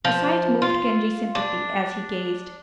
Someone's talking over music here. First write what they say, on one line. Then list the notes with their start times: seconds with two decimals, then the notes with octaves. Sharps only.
The sight moved Genji's sympathy as he gazed.
0.05 F3
0.62 F4
1.35 D4